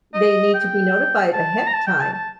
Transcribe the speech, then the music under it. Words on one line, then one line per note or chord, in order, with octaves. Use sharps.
They need to be notified ahead of time.
D#5
G5
A5
A#5
A5
G5
A5
A5